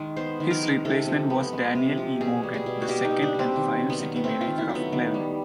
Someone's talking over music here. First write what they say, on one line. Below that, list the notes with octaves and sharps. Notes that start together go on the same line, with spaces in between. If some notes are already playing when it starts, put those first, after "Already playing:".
His replacement was Daniel E. Morgan, the second and final city manager of Cleveland.
Already playing: D#3 G#3
B3 C5
D#3
A#4
G#3
C3 A4
F3
B3
G#3
C3
F3
B2 G#4
G3
G#4
B2
F#4
A#3 G4
D#4
B2
D4
G3 C4
D#3
F#3
B3
D#3
B3
A3 C4
F4
D#3
E4
F#3
B3
D#3
G3